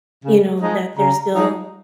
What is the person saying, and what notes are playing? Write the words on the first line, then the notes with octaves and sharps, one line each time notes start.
you know, that they're still
C#3
F3 G#3 D#4
C#3 A#5
F3 G#3 D#4